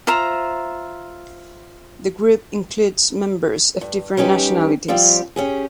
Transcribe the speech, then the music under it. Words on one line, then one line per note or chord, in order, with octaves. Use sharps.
The group includes members of different nationalities.
F4 C5 E5 A#5
G2
G3 C#4 D#4 G4 B4
F3 G3 C4 G4
C#4 G4 G#4